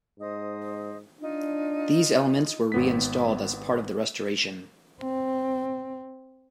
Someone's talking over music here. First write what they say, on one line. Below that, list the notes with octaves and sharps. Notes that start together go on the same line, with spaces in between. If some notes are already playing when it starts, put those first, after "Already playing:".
These elements were reinstalled as part of the restoration.
G#2 C5 D#5 D#6
D4 D#4 F4
G#1 B3 B6
C4